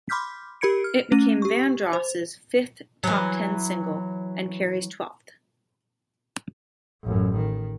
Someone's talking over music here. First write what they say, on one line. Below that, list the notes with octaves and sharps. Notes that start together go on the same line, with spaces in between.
It became Vandross's fifth top-ten single and Carey's twelfth.
B5 C6 D6 F6 G6 B6
G4 A#4 B5 G#6 C#7 D7
F6
A3 C#4 A#6 D#7
G4 C#6
C5
E3 F#3
A1 F#2
D#3